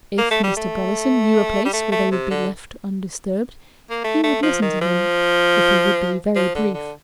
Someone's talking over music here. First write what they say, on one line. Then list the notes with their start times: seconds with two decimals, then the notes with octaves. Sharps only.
If Mr. Brotherson knew a place where they would be left undisturbed, he would listen to him if he would be very brief.
0.18 A#3
0.31 A3
0.43 G3
0.57 A3
1.65 G3
1.73 A3
1.92 A3
2.11 C3
2.30 D3
3.90 A#3
4.04 A3
4.23 A3
4.43 F3
4.62 D#3
4.81 F3
6.35 F3
6.55 D3
6.74 D3